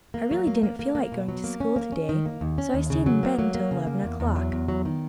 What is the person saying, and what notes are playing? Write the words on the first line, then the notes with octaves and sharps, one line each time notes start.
I really didn't feel like going to school to-day, so I stayed in bed until eleven o'clock.
A#3
F#3
A#3
A#3
A#3
A#3
B2
F#3
A#3
C#4
A#3
C#4
D#3
A#3
D#2
C#4
D#2
C#3
F#3
A#3
F#3
A#3
C#3
A#3
E2
E2
F#3
E2
F#3
D#3